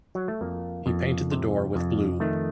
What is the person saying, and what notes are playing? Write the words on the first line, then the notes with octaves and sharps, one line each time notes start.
He painted the door with blue.
F#3
A3
F2 A#3
F2
C3
F2
D#3 A3